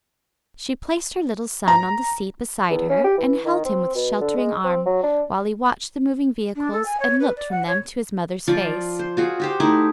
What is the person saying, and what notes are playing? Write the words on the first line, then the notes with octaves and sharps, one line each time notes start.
She placed her little son on the seat beside her and held him with sheltering arm, while he watched the moving vehicles and looked from them to his mother's face.
A#5
E2
C#4
G4
E3
D#3
C4
B2
D3
G#3
C4
F#3
D4
D4
A4
G#5
C#5
B4
D5
F#5
C#5
F3 F4 D5
C5
F4 F#4 G#4
F#4 G4 C5
A3 D#4 E4